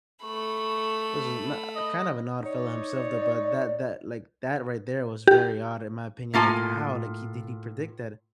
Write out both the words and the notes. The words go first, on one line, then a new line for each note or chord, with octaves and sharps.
was no kind of an odd fellow himself, though, but that that like, that right there was very odd, in my opinion, like, how, like, he did he predict that?
A3 B5 C#6
D#5
D#4 C#5 D5
G4
A2 A#3 F4 G#5